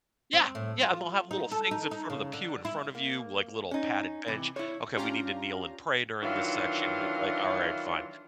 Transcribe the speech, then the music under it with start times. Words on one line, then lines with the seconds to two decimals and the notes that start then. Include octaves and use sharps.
Yeah, yeah, and they'll have little things in front of the pew in front of you, like little padded bench, okay, we need to kneel and pray during this section, and it's like, "Alright, fine."
0.33 C4
0.55 A2
0.82 F4
1.31 D#4
1.52 A4
1.71 D#4
1.91 D#4
2.10 C#3
2.33 D3
2.65 E4
2.95 A#3
3.71 C#4 D#4
4.28 C3 E3
4.56 E4 C#5
4.96 C#4 D4 F4 G4 F5 A#5
6.22 D#3 E3 F#3 D4 F4